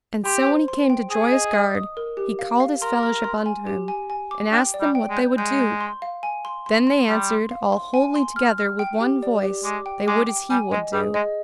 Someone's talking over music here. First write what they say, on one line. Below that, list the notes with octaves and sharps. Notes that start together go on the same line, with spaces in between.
And so when he came to Joyous Gard he called his fellowship unto him, and asked them what they would do Then they answered all wholly together with one voice they would as he would do.
G4 C6
C5
C6
G5
G#4 D#6
D#5
D#6
D#6
A#4
G4
F5
F5
A#4 C6
F6
C6
G#5
G4
G#5
G#5
D6
D4 G5
D5
G3
G5
G#3
G6
G#3 G6
G6
C6
F5
G#5
C6
C6
C6
G3 C6
C6
F5
C6
G#5
C6
F6
F6
G5
G4
D5
G4
G#3 D6
G5
G#3 D6
G5
G3 G#5
G#3 D#5
G3 G#4
G#3 D#5